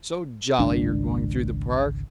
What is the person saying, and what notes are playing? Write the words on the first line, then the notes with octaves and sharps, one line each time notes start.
"So jolly you're going through the Park."
G#1 C#2 D4